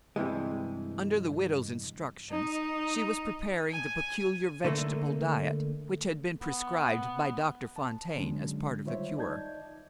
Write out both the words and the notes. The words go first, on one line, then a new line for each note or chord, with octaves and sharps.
Under the widow's instructions, she was preparing the peculiar vegetable diet which had been prescribed by Doctor Fontaine as part of the cure.
G2 C3 E3 G#3
D#4
G#5
D3 A3 A#3
B3
A5
D3 F#3 G#3 C#4 D4
D#3 G3 F4 C5 C#5 E5
D#4 D5 D#5 A5 G6 G#6